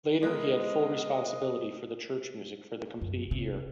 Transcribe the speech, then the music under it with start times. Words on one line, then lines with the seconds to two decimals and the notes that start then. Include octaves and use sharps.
Later he had full responsibility for the church music for the complete year.
0.23 G#3 B3 A#4 D#5
3.02 F#2
3.31 C3